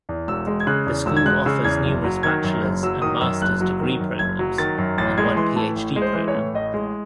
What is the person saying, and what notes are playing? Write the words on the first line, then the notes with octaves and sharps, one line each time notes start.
The school offers numerous bachelor's and master's degree programs, and one Ph.D. program.
E2
E1 E6
G#3
G#6
C#3 F#6
E2
E1 E6
G#6
G#3 F#6
C#3 E6
E2 G#6
F#1
F#3
D#3 G#6
F#2
F#1
F#3 E6
D#3 D#6
F#2 E6
F#1 F#6
F#3
D#3
F#2
F#1 G#6
F#3
D#3 A6
F#2
A1 A6
G#3 G#6
E3 C6
A2 A5
A1
G#3
C5
E3
C#5
A2
A1 D#5
G#3